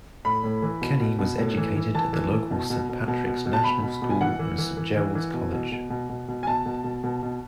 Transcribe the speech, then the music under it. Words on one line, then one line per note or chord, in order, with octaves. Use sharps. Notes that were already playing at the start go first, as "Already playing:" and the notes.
Kenny was educated at the local Saint Patrick's national school and Saint Gerald's College.
A2 B5
A2
E3
B2
B2
B2
A2
E3
E3
E3 A5
E3
E3
B2
B2
B2
B2
B2
B2
A5
B2 B5
B2
B2
G#5
E3 F#5
E3
E3
E3
E3
E3
B2
B2
B2
B2
B2
B2
G#5
B2 A5
B2
B2
B2
B2